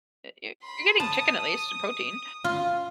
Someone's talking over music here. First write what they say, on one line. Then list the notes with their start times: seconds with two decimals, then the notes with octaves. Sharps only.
Eh u You're getting chicken, at least, protein.
0.62 B5 C6
1.00 A5 D#6
2.44 F4